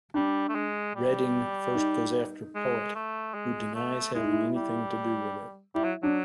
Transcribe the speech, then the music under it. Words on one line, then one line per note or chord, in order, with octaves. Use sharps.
Redding first goes after Poet, who denies having anything to do with it.
G3 D4
A3
G#3
G3
D#4
G#3
A3
G#3
A3
G#3 E4
D#4
E4
G3
G3 E4
F#3
F#3 D4